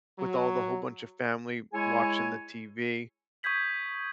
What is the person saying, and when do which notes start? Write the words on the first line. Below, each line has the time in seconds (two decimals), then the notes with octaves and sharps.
with all the whole bunch of family watching the TV.
0.18 F#3
1.73 G#3 E4 G#4 C#5 G#5
3.43 C#6 D#6 G6 G#6 B6 F#7